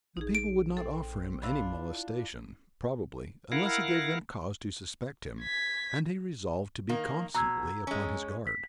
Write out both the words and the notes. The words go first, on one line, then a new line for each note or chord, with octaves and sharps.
The people would not offer him any molestation, probably, unless he gave them cause to suspect him, and he resolved to be constantly upon his guard.
A#1 D#4 G#4
D7
C4 A4
D4 E4 F4 B5 E6
E4 A#4 F5 F#5
G#6 B6
D#3 A#3
B2 A#5 E6 G#6
G#3 C#4
B6